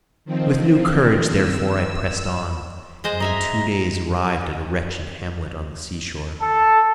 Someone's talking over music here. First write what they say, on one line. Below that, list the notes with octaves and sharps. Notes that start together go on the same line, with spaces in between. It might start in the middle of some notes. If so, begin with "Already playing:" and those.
With new courage, therefore, I pressed on, and in two days arrived at a wretched hamlet on the seashore.
D#3 F3 C4
E6
G#3 C5 D#5
D#5 E5 G#5 A#5
A4